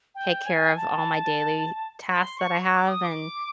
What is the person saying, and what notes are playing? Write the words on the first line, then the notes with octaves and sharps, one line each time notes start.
take care of all my daily tasks that I have. And
G5
G#5
A5
B5
C6
C#6
D6
D#6
D6